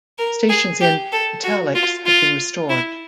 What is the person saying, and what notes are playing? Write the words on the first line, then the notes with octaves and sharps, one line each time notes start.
Stations in "italics" have been restored.
A#4
G#4
G4
A4
F#4
F4
F4
E4